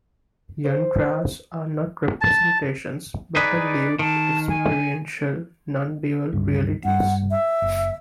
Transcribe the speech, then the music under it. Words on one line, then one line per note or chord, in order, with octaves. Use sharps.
"Yantras" are not representations, but are lived, experiential, nondual realities.
C5
A5
D#4 G#4 B4 D5
D#3 A5
G#5
C#2 G2 D3
G2 F#5
E5
F#1